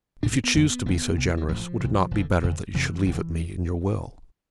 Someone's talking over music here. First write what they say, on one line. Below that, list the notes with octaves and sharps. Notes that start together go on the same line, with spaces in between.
If you choose to be so generous, would it not be better that you should leave it me in your will?
B1 A2 D4
C4
B3
F1 F2 D3 A3
B3
F1 E2 D3 B3
C2 C3
E3
A1 A2 F3
C2 C3
F1 E2 D3
F1 F2 D3
F1 F2 C3 E3
E1 D3